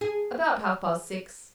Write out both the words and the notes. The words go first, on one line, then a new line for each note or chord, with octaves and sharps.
"About half-past six."
G#4